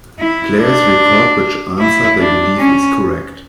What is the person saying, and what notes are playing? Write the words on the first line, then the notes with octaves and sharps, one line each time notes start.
Players record which answer they believe is correct.
E4
D4
E4
D4
C#4